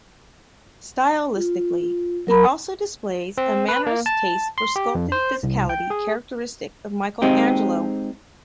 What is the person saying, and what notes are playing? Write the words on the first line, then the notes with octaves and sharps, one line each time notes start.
Stylistically, he also displays a Mannerist taste for sculpted physicality characteristic of Michelangelo.
F4
F#3 A#4 A#5 B5
C4
B4
A#3
A5
C6
G4
F2
C5
C2
G5
G#4
G#3 C4 D#4 G4